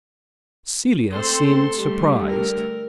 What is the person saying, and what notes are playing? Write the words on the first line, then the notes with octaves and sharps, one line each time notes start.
Celia seemed surprised.
A3 C4 A4 C5 C6
D3 G3 A3
A#4